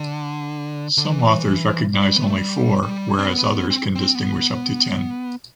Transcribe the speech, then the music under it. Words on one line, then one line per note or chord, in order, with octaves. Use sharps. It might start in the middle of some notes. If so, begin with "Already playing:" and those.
Some authors recognize only four whereas others can distinguish up to ten.
Already playing: D3
D3
E3
G3
B3
A3
G3
G3
C4
B3
C4
C4
B3